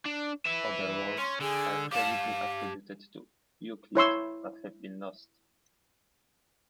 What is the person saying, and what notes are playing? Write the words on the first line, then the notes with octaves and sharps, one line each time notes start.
Other works are credibly attributed to Euclid, but have been lost.
D4
B4 E5
C#4 C6
D3 G#4
G4 F5 A5
E4 C#5 C6 E6